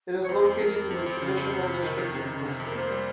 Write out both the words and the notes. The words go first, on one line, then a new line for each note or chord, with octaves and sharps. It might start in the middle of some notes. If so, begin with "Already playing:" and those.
It is located in the traditional district of Lister.
C#5
F2 C5
F2
F2 A#4
F2
F2 C5
F2 C5
C#3
F2
C3
C3
D#3
F2
C3
D#3
C3
F2
A#4
A#3 C5
G3